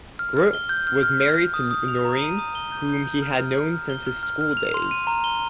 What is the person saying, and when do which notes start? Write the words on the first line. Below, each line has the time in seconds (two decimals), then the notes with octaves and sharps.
Grout was married to Noreen, whom he had known since his school days.
0.19 F6
0.37 F6
0.54 G7
0.69 G6
0.87 F6
1.03 F6
1.20 F6
1.37 F6
1.54 D#6
1.71 D#6
1.88 F7
2.05 A#5
2.21 D#7
2.39 D#6
2.55 G7
2.72 G6
2.89 G6
3.05 G6
3.22 F6
3.39 F6
3.56 F6
3.73 F6
3.90 G7
4.06 F6
4.23 F6
4.41 F6
4.57 F7
4.74 C6
4.91 D#7
5.07 A#5
5.24 G7